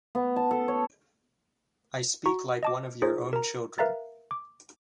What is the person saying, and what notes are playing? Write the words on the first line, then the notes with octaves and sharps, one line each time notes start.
I speak like one of your own children.
B3
A5
A4
C#5
F#4 A#5 C#6
D#5 A5 D6
D#4 F4 G#4 C5 C#5
A#4 A#5
A#4 B4 E5 F5 A#5 A6
D6